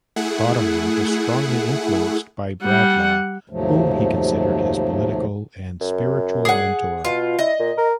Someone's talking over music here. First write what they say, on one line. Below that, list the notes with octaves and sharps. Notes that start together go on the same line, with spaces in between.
Bottomley was strongly influenced by Bradlaugh, whom he considered his political and spiritual mentor.
A3 E4 G#4 F#5
G3 F#5
D#2 G#2 C3 F3 F#3 A3
F#2
G#4 F#5
B2 F4
E4 D#5
A#2
A#4